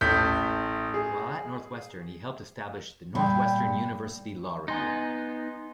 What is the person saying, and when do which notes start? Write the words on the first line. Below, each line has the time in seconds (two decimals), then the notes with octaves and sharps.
While at Northwestern, he helped establish the Northwestern University Law Review.
0.01 A1 A3 G6 B6
0.94 G#4
3.15 A#2 G3 G5 B5
4.68 B3 D#4 G#5 C6 A6